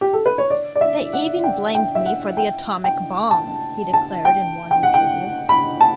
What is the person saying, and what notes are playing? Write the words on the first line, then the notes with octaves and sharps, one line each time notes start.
"They even blamed me for the atomic bomb," he declared in one interview.
G4
A4
B4
C#5
D5
D5
E5
F#5
G5
G5
E5
F#5
G5
G5
A5
A5
G5
G5
F#5
G5
B5
A5